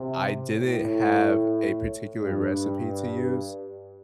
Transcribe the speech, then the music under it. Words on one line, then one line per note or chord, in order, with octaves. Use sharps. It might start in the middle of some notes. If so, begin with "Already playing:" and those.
I didn't have a particular recipe to use
Already playing: C3
A2
G2